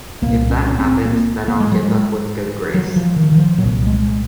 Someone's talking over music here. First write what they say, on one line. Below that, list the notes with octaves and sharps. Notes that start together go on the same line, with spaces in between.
If that happens then I'll give up with good grace.
C2 A#2 A#3
C#4
C#4
C4
A#3
A#3
G#3
F#3
G#3
F#3
F3
D#3
D#3
F3
C2 A#2 F#3
G#3